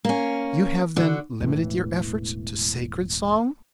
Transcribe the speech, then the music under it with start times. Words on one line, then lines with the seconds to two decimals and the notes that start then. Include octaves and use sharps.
"You have, then, limited your efforts to sacred song?"
0.05 A#3 C#4
0.96 D3 F#4
1.41 E1 A2 E3